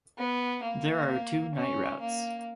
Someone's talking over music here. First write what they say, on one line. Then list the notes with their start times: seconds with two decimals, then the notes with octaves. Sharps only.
There are two night routes.
0.18 B3
0.63 A#3
1.55 C#4
2.00 A#3